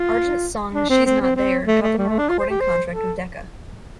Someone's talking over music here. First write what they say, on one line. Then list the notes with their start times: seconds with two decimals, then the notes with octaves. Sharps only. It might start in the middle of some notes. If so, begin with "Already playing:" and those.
Argent's song "She's Not There" got them a recording contract with Decca.
Already playing: F4
0.75 D4
0.90 C4
1.06 C4
1.21 C4
1.36 C4
1.67 A3
1.82 A3
1.98 G3
2.09 A3
2.19 D4
2.29 F4
2.40 C5
2.50 G4
2.61 C5
2.92 A4